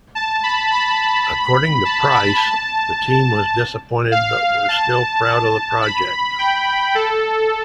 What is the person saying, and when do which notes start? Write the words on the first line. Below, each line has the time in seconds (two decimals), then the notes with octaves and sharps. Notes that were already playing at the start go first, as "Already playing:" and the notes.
According to Price, the team was disappointed but were still proud of the project.
0.15 A5
0.43 B5
0.72 B5
1.85 A5
2.14 B5
2.42 A5
4.12 F5
4.69 A5
5.25 A5
5.82 B5
6.39 G5
6.95 A4